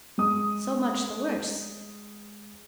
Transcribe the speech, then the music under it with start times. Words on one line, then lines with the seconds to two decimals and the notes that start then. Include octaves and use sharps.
So much the worse!
0.18 G#3 D#6